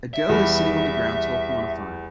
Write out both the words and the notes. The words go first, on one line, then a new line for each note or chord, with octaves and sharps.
A girl is sitting on the ground talking on a phone.
E5
E2 G3 B5